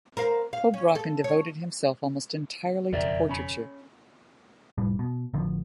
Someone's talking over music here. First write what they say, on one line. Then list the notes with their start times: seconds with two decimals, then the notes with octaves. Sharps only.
Houbraken devoted himself almost entirely to portraiture.
0.17 A#4 C5 F5
0.53 F5
0.74 C#4
0.95 A4
1.24 C#5
2.93 E1 F2 C#3 A#4 D5 E5
3.29 C#4 B5
4.78 F1 A2 G3
4.99 B2
5.34 A1 D3 F3